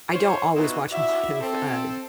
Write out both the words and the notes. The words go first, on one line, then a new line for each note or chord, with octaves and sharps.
I don't always watch a lot of, uh,
F4 C5 C#5
A#2 B3 D#4 E4 F#4
E4 F#4 D5 E5
C4 A4